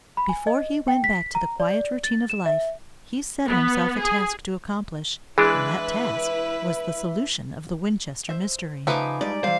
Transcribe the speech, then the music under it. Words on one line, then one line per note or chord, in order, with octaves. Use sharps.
Before he went back to the quiet routine of life, he set himself a task to accomplish, and that task was the solution of the Winchester mystery.
B5
G#5
D#5
G5
B6
A#5
D5
D5
A6
E7
E5
B3
G#4
E3 G#3 D4 E4 G#4 B4 E5
C5 E5
C#3 F3 A3 D#4 B4 G#5 D6
G3 G#3 D#4 D5
E3 G3 C5 F5